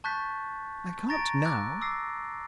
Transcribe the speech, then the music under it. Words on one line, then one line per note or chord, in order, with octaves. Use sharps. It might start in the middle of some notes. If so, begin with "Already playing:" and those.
"I can't now."
A5 C#6 F#6 G6 A6 B6
A#5 C#6 A6 A#6 D7
D6 E6 F#6
D6 E6 A#6 C7